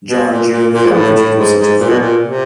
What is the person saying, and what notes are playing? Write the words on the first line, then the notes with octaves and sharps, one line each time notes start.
John June, how could you do such a thing?
B2
A#2
A#2
A#2
G#2
A2
A2
G#2
G#2
A#2
B2
A#2
C3